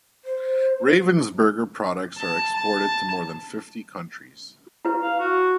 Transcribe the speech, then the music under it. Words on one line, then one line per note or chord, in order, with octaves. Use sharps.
Ravensburger products are exported to more than fifty countries.
C5
A5
A5
E4 B4
F5
F#4